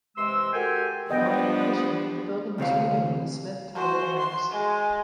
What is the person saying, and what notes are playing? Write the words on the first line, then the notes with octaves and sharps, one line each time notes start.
Upon completion the building was renamed the Smith Tower Annex.
C3 E3 G#3 C6 E6
F#4 G4 A4 A#4 G5 G#5
F3 G3 B3 D4 D#5 G5
D2 C3 C#5 F5
F#4 C5
C6
G#3